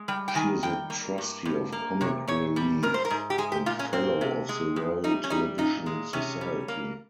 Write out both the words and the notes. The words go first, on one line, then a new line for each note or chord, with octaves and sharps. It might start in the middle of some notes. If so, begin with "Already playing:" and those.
She is a trustee of Comic Relief and fellow of the Royal Television Society.
Already playing: G#3
G3 G5
G5
D#3 G#5
G3 G5
A#3
G2
G2
A#3
C3 C#5
A#2 C#5
G3
G#2 A#4
C5
A#4
G#2
G4
G#3 G#4
G4
A#2 F4
C#4
A#3 C4
C3
G#3
F2
G3 D#4
C#4
G3 D#4
A#2 D#4
G#3
C3 C#4
G3
A#3